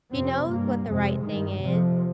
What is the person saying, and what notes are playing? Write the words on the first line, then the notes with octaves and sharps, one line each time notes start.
she knows what the right thing is,
F2 C3 C4
G2 A#3
F2 C3 G#3
G2 D#3
F2 C3 F3